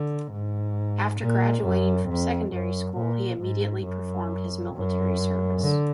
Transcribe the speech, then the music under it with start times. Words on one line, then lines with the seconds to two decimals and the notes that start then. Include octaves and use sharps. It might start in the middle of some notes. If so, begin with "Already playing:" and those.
After graduating from secondary school he immediately performed his military service.
Already playing: D3
0.32 G#2
1.21 A#2
1.65 F#2
2.09 F2
2.53 F#2
2.97 A#2
3.41 G#2
3.85 F#2
4.74 F#2
5.62 D3